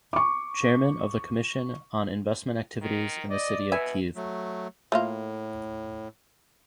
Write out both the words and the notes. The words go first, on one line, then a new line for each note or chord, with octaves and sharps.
Chairman of the Commission on Investment Activities in the City of Kyiv.
C#6 D6
D#3
D5 D#5
B2 B4 E5 G#5
F#3 A3
A2 A3 A#3 F4